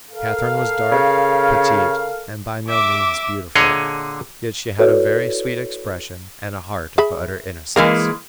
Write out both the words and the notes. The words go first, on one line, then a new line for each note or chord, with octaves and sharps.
Catharine was dark, petite, and by no means beautiful; yet she had a very sweet expression and a heart of utter innocence.
A4 A#4 F5
C#3
E5 D6
A#2 D3 G#4 C#5 D#5
E4 F#4 A4 B4 C#5 D5
G#4 E5 B5
E3 G#3 A#3 A#4 F5